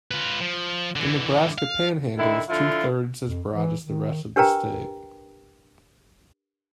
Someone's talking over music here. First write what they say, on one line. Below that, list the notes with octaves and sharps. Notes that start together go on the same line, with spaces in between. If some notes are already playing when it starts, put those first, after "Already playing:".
The Nebraska panhandle is two-thirds as broad as the rest of the state.
F4 B4
F3
D3 E3
F5
D3 D#3 E4
D3 F3 E4 F4
F2
E3
D#3
D4 G4 A#4 B4 G5 A#5